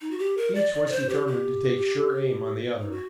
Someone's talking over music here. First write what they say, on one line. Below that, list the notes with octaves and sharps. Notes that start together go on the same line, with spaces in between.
Each was determined to take sure aim on the other.
D#4
F#4
G4
A#4
D5
D5
D5
C5
G4
G4
D#4
F#4